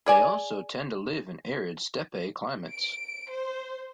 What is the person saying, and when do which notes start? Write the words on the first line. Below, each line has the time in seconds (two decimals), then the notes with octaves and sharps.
They also tend to live in arid steppe climates.
0.06 G#4 D5 G#5
2.72 D7
3.30 C5